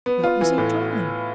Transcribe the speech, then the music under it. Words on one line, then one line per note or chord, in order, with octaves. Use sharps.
What was he drawing?
B3
F4
E3
A2